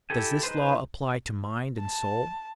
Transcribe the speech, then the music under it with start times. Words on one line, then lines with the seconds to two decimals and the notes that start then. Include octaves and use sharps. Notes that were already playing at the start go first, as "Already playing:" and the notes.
Does this law apply to mind and soul?
0.10 E4 G4 A4 G#5
0.43 D#4 G#4 B4 C5
1.79 A5